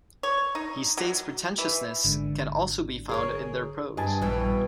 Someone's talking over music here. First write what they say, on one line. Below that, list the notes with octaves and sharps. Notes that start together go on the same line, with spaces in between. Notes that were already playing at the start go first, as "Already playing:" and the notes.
He states pretentiousness can also be found in their prose.
C#5
D#4
F#3
E3
G#1 G#2 D3
G#4 A#4 C#5
G2 D#5 G#5 A5
A#1 B2 E3 G3